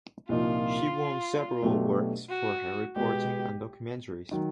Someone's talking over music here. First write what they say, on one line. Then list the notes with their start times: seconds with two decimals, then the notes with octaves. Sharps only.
She won several awards for her reporting and documentaries.
0.29 C2 A#2 F3 A#3 D#4 F4
1.62 B2 F#3 A3 D4 G4
2.29 F#4
2.96 B2 G#3 B3 G4
4.31 D#3 F#3